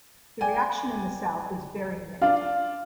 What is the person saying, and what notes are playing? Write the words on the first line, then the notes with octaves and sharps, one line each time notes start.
The reaction in the South was very negative.
D5 G5 G#5
D4 F4 F5